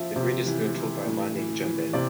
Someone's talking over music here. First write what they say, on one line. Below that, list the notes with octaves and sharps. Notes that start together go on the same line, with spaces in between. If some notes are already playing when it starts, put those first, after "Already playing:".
The Grid is controlled by a man named Jumbo.
Already playing: F3 E5
C3
E3
E3
A2
E3
E3
C3 D5